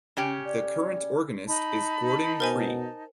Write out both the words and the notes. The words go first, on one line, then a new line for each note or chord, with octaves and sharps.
The current organist is Gordon Cree.
C#3 C#4 G4
D5
D#4 A5 B5
B2 A#4 C5 G#5